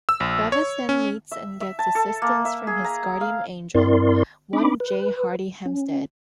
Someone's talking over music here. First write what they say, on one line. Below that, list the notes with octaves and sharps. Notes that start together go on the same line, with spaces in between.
Bevis then meets and gets assistance from his guardian angel, one J. Hardy Hempstead.
E6
A#1
C#5
C#4
E5
E5
A5
A4
A#3
E5
G#4
A#5
F5
G2 C4 E4 A#4 D5 C6
C4 D4 D#4 B5 D6
B4
C#4